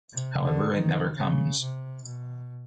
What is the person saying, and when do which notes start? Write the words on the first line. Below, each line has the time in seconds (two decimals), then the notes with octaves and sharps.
However, it never comes.
0.13 C3
0.42 D3
0.72 D#3
1.16 C#3
1.60 C3
2.05 B2